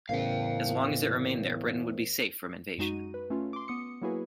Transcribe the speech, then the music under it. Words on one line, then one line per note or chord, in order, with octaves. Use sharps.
As long as it remained there, Britain would be safe from invasion.
E2 A2 C#3 A#4 C5 F5 G5
F#2 G#3 D#4 F#4 D#7
B4
A3 C#4 F4
C6 D6
B3 D#6 C#7
F#3 A#3 E4 F#4 G#4 B4